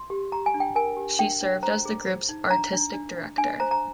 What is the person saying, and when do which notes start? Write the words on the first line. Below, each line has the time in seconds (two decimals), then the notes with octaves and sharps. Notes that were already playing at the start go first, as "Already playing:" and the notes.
She served as the group's artistic director.
Already playing: C6
0.10 G4
0.32 G4 A#5
0.46 G#5
0.54 D4
0.60 G5
0.75 A#4 G#5
0.97 G4
1.19 D4 G5
1.41 D4
1.63 C5 A#5
1.85 G#4
2.06 C5
2.29 D#4
2.50 D4 A#5
2.73 D4
2.94 D4
3.16 D4
3.38 D4 G#5
3.60 C5 A#5
3.71 A#5